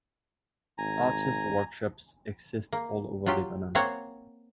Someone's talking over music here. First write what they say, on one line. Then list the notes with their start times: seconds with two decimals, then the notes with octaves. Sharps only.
Artist workshops exist all over Lebanon.
0.78 G#1 G#5 A#5
2.73 A#3
3.26 F#3 F4 G4
3.75 A#3 C4 C5 C#5 F5 F#5